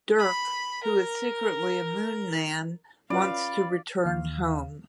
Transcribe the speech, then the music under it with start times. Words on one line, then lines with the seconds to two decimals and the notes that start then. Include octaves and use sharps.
Dirk, who is secretly a Moon man, wants to return home.
0.19 B5
0.83 A#4
3.10 C#4 F4 B4 D5 F5 B5
4.05 D#2 F5